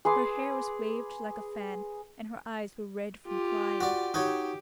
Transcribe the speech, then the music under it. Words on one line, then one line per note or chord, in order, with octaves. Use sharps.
Her hair was waved like a fan, and her eyes were red from crying.
G#4 B4 C6 D6
F4 G4
F#4 D5
D#4 F#4 G4 C#5